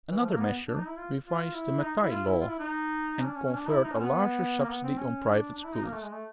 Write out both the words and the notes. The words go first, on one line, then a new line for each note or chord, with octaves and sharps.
Another measure revised the Mackay Law and conferred a larger subsidy on "private" schools.
E3
F3
A#3
B3
D4
D#4
E4
F4
F4
E4
D#4
E4
F4
E4
F4
E4
D#4
C#4
D4
C#4
C#4
D4
E4
D#4
C#4
B3
A#3
B3
C4
C#4
D4
D4
E4
D#4
A#3
A3
G#3
A3